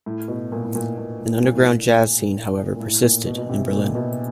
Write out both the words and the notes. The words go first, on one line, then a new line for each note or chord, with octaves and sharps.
An underground jazz scene, however, persisted in Berlin.
A2
B2
A#2
A2
A#2
A#2
A2
A#2
A2
A#2
A#2
A2
A#2
B2
B2
C3
A#2
B2